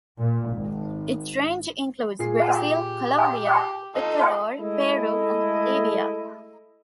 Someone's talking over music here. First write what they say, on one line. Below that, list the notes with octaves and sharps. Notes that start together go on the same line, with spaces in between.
Its range includes Brazil, Colombia, Ecuador, Peru, and Bolivia.
A#2
G#1
A#2 G#4 C7
G4
D#4 F4 A4 D#5
G#3 A3 E4 D#5